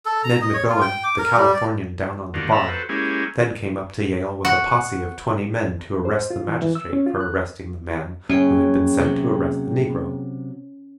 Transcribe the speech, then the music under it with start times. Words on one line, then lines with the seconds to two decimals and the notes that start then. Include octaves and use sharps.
Ned M'Gowan, the Californian down on the bar, then came up to Yale with a posse of twenty men to arrest the magistrate for arresting the man who had been sent to arrest the negro.
0.06 A4
0.24 A#5
0.41 D#5
0.54 C#5
0.69 F4
0.81 G5
1.04 D6
1.19 A#4
1.37 G3
1.54 D5
2.34 G2 D3 D#3 A#3 F4 F#4
2.52 A#2 A4 A#5 B5 E6 F6
2.69 F#4 A4 B4 C5
2.89 G#3 A#3 C#4 E4 G4 G#4
4.45 F#4
6.05 C5
6.30 F4
6.47 E3
6.62 E3
6.75 E6
6.93 C#4
7.06 F4
7.20 F#6
8.30 F#2 A#3 C#4 G#4 G5
9.00 C3 F#3